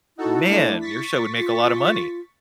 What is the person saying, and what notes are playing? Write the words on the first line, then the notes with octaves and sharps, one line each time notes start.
Man, your show would make a lotta money.
D#4 E4 F#4 A4
A3 D4
C#6 A6 B6
F4